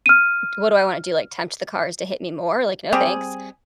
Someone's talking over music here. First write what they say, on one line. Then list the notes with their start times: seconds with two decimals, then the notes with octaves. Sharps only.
what do I wanna do? Like, tempt the cars to hit me more? Like, "No, thanks."
0.06 F6 D#7
2.93 G3 C4 G4 G#4